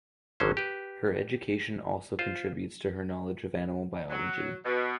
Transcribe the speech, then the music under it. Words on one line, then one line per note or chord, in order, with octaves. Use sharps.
Her education also contributes to her knowledge of animal biology.
G#1 D3 D#3 F#3 C#4 C5
G4 B4
F4 C5
F#3
B2